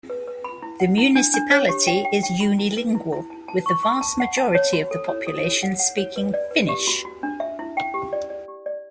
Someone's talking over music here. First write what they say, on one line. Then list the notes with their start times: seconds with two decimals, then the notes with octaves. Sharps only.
The municipality is unilingual with the vast majority of the population speaking Finnish.
0.10 B4
0.27 B4
0.44 B5
0.63 E4
0.80 F#5
0.98 E4
1.16 D4
1.34 D4
1.51 C#5
1.69 G4
1.87 G5
2.05 G5
2.23 G5
2.40 B5
2.59 E4
2.77 B4
2.95 E4
3.12 E4
3.30 A5
3.48 A5
3.66 C#6
3.83 C#6
4.01 A5
4.20 F#5
4.37 A5
4.55 C#5
4.73 F#4
4.91 A4
5.08 C#5
5.27 A4
5.44 C#5
5.63 F#5
5.80 F#5
5.97 C#5
6.16 B4
6.34 D5
6.51 B4
6.69 G4
6.87 F#4
7.05 F#4
7.23 D4
7.40 E5
7.59 E4
7.77 G5
7.94 G4
8.13 D5
8.30 D5
8.48 G4
8.66 D5